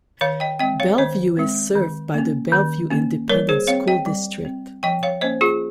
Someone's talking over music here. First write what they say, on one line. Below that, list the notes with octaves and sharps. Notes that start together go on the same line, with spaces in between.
Bellevue is served by the Bellevue Independent School District.
D#3 C#5 F5
D#5 G5
G#3 C4 D#5 G5
C#5 F5
D#3 C5 D#5
G#3 C4
D#3
A#3 C#4
D#3
A#3 C#4
G3 A#4 C#5
G#4 C5
C4 C#5 F5
D#5 G5
G3
C4
F3 D#5 G5
C#5 F5
A#3 C#4 C5 D#5
F4 G#4